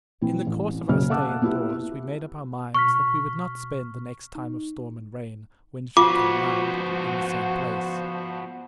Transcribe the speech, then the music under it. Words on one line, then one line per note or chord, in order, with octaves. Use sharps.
In the course of our stay in doors we made up our minds that we would not spend the next time of storm and rain, when it should come round, in the same place.
E3 C4
A1
F#1 F#2 C#3 G#4 F6
F5 F#5 A5 D6 E6 F#6
B3 E4 G4
B2 C#6 F6 B6
D#4
F3 B3 F4 F#4 C5 D6